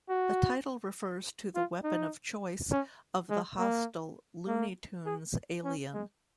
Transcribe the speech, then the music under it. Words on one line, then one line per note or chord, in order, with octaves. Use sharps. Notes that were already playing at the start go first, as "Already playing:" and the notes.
The title refers to the weapon of choice of the hostile Looney Tunes alien.
F#4
F4
D#4
C#4
G#3
A#3
A#3
G#4
C#4
G#3